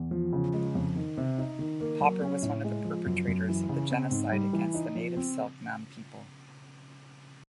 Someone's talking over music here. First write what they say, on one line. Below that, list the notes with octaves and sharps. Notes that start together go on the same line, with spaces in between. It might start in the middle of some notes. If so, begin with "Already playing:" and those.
Popper was one of the perpetrators of the genocide against the native Selk'nam people.
Already playing: E2
F3
C#3
G#3
F2
D#3
C3
D#4
D#3
A#3
F#3
C#4
A2
G#3
F3
F#2
F#2
E3
C#3
C4
G#2
G3
E3
D#4
F3
C4